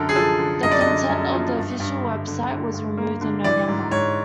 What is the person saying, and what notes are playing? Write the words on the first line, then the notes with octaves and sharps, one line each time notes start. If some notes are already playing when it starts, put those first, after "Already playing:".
The content of the official website was removed in November.
Already playing: F#2 D3 A4 A#4
G#4
F3 A4
D3
F#2 D#5
D5
D#5
D3
F#2
F3
G2
G2
D3
D3
D3
G2
A#3
D3
E3 D5
G#2
G#2 C#5